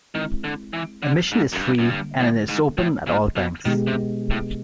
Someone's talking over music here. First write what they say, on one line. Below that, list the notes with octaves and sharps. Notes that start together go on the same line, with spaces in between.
Admission is free and it is open at all times.
D#3 G#3 C4 E4
D3
E3
D3
G#2
F#2
G2
F#2
G2 D3 G3 A#3 D4
A2
G#2
A2
A#2
B2
B2 D#3 G#3 B3 D4 G4
C3
A2